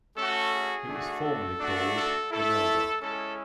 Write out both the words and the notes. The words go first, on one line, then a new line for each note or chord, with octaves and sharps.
It was formerly called Imelda.
A3 C#4 F#4 A4
G#4
A3 D4 F#4
A4
A3 D4 F#4
A4
A3 E4 A4
G#3 C#4 E4 A4